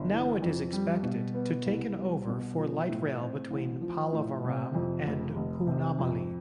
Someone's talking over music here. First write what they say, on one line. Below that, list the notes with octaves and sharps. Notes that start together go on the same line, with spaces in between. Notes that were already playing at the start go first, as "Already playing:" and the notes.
Now it is expected to taken over for Light Rail between Pallavaram and Poonamallee.
Already playing: G1
E3
F2
G3
B2
B3
C2
G3
B2
F3
A2
C4
A1
F3
A2
C3
F2
F1
F1
C3
F2